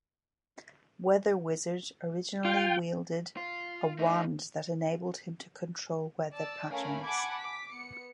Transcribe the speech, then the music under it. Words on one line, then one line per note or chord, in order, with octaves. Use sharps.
Weather Wizard originally wielded a wand that enabled him to control weather patterns.
F4 G5
F4
A3 D#4
D5 A5 E6
A3 C#4 A#4 F5 G#5 B5
F#5 G#5 A5 B5 D6 G#6
D6 B6
B3 C#7